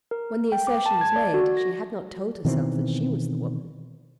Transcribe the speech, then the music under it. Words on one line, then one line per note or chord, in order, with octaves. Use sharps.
When the assertion was made she had not told herself that she was the woman.
A#4
G5
D6
A5
G#6
D5
F#4
A#6
B2 D#3 E3 C4